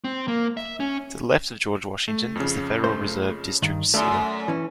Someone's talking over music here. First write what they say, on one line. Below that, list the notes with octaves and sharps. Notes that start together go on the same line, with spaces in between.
To the left of George Washington is the Federal Reserve District Seal.
C4
A#3
E5
C#4
A3
F2 C#3
A3 C5
G2 D#3
F#2 A3 D5
E3 C#4